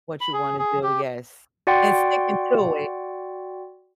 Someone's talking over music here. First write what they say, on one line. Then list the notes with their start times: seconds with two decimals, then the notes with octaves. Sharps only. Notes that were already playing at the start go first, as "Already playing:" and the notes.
What you wanna do. Yes, and sticking to it.
0.21 B5
0.33 G#4
0.59 G#4
0.83 G4
1.67 F#4 D5 F#5 G5 C6